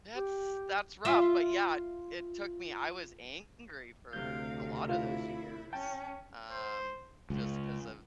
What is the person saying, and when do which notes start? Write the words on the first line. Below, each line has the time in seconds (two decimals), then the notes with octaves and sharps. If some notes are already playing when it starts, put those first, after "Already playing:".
that's that's rough but yeah, it took me I was angry for a lotta those years, um, just 'cause of
0.15 G4
1.05 F4 E5
4.13 D2 C3 F5 G6
4.89 E4 F4
5.73 C#4 G5 A5
6.52 C5
7.30 C#2